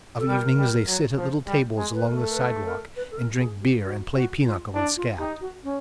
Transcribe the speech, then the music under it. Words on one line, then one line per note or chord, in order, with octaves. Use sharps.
Of evenings they sit at little tables along the sidewalk and drink beer and play pinochle and scat.
A4
G3 A#4
G3
F#3
F3
G3
G#3
B4
A3 A#4
A4
A#4
B4
A#4
B4
A4
A#4
G4
G#4
G4
F#4
F#4
F4
D4 E4
F4
D#4 G4
F#4
C#4